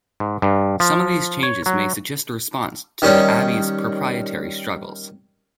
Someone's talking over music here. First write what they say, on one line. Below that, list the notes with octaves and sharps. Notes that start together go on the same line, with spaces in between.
Some of these changes may suggest a response to the abbey's proprietary struggles.
G#2
G2
F3
C#5
F#3
D#3 G3 C#4